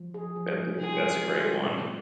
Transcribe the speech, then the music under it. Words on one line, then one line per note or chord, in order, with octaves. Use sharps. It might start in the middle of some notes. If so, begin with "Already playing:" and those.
That's a good that's a great one.
Already playing: F3
G#4
F3
F3
F4 G#4
G#3
F4
G#3
A#2